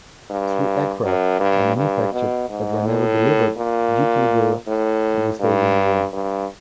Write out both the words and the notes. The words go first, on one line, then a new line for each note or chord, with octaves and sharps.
Three aircraft were manufactured but were never delivered due to the Yugoslavin War.
G2
F#2
G2
G2
B2
G#2
A2
A#2
A2
G2
G2